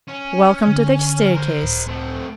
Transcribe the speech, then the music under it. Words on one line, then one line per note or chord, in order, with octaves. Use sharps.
Welcome to the staircase.
C#4
D3
A#4 C5
C#2 A2
A3 C4